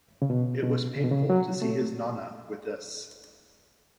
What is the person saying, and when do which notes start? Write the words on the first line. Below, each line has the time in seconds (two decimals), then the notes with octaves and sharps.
It was painful to see his Nonna with this.
0.22 C#3
0.30 B2
0.63 B2
0.96 C#3
1.04 B2
1.11 C#3
1.30 F#3
1.62 A3